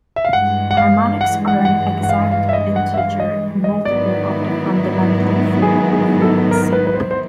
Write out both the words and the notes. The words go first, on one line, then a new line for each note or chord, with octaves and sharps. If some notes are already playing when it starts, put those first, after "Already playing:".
Harmonics are an exact integer multiple of the fundamental frequency.
E5
F5
G2 E3 G#3 F#5
F#5
F5
F#5
F#5
F#5
F#5
F5
F5
E5
D#5
F#5
E5
F5
D#5
D#5
G#2 D#3 F#3 B3 E4 D5
G#4
G#4
A4
A#4
A#4
B4
B4
C5
C5